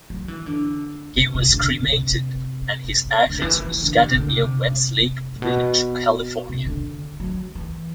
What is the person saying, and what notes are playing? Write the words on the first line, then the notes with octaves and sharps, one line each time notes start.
He was cremated, and his ashes were scattered near Westlake Village, California.
F#3
E3
D3
C3
C3
D3
C3
D3
E3
E3
E3
D3
C3
D3
C3
A2
B2
C3
D3
F#3
E3